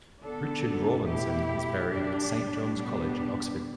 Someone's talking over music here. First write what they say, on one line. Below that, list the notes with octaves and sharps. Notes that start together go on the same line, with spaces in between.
Richard Rawlinson is buried at Saint John's College, Oxford.
D3 B3 D4 A4
B2 A3 E4 G4
G3 D4 G4
B2 G3 B3 D4 G4